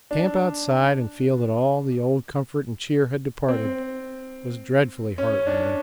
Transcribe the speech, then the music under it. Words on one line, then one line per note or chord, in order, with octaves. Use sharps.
To camp outside and feel that all the old comfort and cheer had departed, was dreadfully heartrending.
D4
C4
C#4
D4